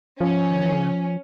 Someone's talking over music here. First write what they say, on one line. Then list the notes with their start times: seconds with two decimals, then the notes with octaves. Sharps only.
Oh, yeah.
0.21 F3 C#4